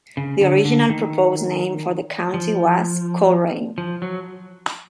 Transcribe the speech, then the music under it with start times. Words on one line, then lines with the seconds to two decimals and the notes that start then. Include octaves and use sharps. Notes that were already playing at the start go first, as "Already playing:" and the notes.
The original proposed name for the county was "Colerain".
0.17 C#3
0.41 D3
0.65 D3
0.89 D#3
2.34 F3
3.78 F3
4.02 F#3